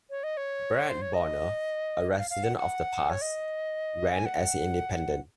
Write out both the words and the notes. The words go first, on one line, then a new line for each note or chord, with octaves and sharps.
Brad Bodnar, a resident of The Pas, ran as an independent.
C#5
D#5
C#5
C5
C#5
D#5
F5
F5
F#5
F#5
C#5
D#5
G#5
F#5